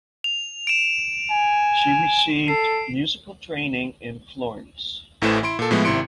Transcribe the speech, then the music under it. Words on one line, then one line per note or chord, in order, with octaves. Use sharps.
She received musical training in Florence.
F7
D7 E7
G#5
A4 C7
A1 A2 E3 A3 C5 E7
E4 C6 D7
A#2 A4
A2 F3 G#3 B3 E4
G#1 C3 E4 C6 C#7 D7